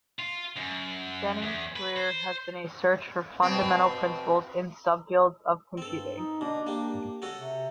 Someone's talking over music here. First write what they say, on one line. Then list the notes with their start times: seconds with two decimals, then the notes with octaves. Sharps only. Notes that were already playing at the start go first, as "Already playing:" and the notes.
Denning's career has been a search for fundamental principles in subfields of computing.
0.19 F4
0.56 F#2
1.42 E2
1.76 B4
1.96 C5
3.42 B2 C4
5.78 G2 C4 A4
6.16 D#4
6.41 B2 D4
6.67 A#3 G4
7.22 C#4 F#4 A4
7.37 C3